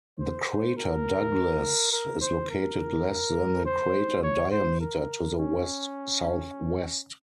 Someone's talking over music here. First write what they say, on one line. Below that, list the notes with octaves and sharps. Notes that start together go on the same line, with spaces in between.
The crater Douglass is located less than a crater diameter to the west-southwest.
C5
A#4
A#4
C5
A#4
C5
C#5
C5
A#4
C#4